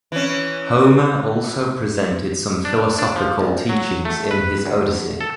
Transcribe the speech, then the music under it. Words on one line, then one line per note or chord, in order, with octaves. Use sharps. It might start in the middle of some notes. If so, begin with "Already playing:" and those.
Homer also presented some philosophical teachings in his "Odyssey".
E3 C#4
D4
D4
F3
A#1
F#3
A3
B4
D2
A4